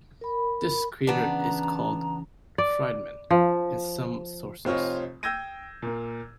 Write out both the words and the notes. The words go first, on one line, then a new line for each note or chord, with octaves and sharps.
This crater is called Friedmann in some sources.
A#4 B5
C#3 E3 B3 D4 A#5
D5
F3
F1 C4 F4 C#5 D#5
G5 E6 G6 G#6 A#6 D#7
A#2 A#3